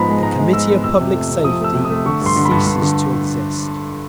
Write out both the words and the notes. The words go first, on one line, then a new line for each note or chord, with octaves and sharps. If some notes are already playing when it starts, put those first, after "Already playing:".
The Committee of Public Safety ceases to exist.
Already playing: G#2 F3 B3 A#5 B5
G#3
G#2 A#5
G#3
G#3 E6
B3
F2 E6
C3
A3
C3
F3 D#6
A3 E6
C3
D#6
A3
D3 C#6
G2 C6
D3
B5
G2
G2
D3